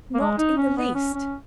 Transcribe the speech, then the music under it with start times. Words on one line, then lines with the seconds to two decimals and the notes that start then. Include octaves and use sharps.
"Not in the least."
0.15 A#3
0.20 G#3
0.38 D#4
0.57 C#4
0.77 B3
0.95 C#4
1.15 C#4